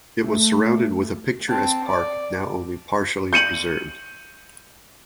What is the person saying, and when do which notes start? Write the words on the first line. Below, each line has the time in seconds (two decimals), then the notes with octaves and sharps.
It was surrounded with a picturesque park, now only partially preserved.
0.23 A3
1.48 C4 A5
1.88 D5
3.33 G6 C#7 D#7 F#7